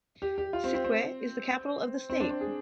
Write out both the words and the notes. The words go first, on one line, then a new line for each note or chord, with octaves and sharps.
Sittwe is the capital of the state.
G4
G4
F4
C4
C4
C4
C4
D4
C4
G#4